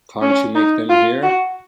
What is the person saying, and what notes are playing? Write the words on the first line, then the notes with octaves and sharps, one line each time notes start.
Can't you make them hear?
C#4
D#4
F4
F#4